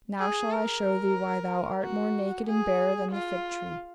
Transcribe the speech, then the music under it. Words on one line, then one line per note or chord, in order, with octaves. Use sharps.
Now shall I shew thee why thou art more naked and barer than the fig tree.
G#4
A#4
F#4
G#4
F4